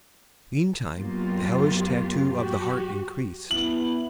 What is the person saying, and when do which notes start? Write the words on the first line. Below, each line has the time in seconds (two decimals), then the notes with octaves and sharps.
Meantime the hellish tattoo of the heart increased.
0.96 F#2 F#3 A#3 B3 F4 G4
2.32 F#3 F#4 G4
3.51 B3 E4 F#7